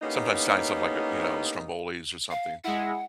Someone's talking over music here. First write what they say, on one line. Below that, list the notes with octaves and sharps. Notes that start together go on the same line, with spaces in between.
sometimes Italian stuff like, uh, you know, strombolis or something.
A2 A#3 B3 C#4 D#4 G4
F5
G#3 E4 F#5